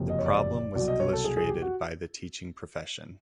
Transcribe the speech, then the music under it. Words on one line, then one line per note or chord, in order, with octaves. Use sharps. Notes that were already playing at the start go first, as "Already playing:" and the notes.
The problem was illustrated by the teaching profession.
Already playing: F#1 F2 C3
D#5
C#5
D5
C2 B2 F#3 D5
D#5
C#5
A4
G#4
G#4
G4
F#4